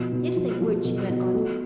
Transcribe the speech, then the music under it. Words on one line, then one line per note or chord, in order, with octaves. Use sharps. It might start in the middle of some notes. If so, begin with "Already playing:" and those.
"Yes, they would," she went on.
Already playing: B2 F3
B2
F3
F3
B2
B2
A3